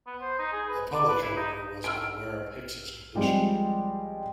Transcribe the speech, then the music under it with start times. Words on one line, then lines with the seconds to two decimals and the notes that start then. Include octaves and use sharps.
The public, however, was unaware of Hicks's condition.
0.06 B3
0.21 C5
0.39 D#4
0.52 G#4
0.68 B4
0.94 D5
1.08 B4
1.22 E4
1.36 D#4
1.84 E6 F6 D7
3.15 F3 G3 G#3 C4